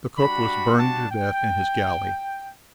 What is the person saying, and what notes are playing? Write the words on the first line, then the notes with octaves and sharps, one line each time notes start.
The cook was burned to death in his galley.
G3 D4 F#4 B5
A5
G5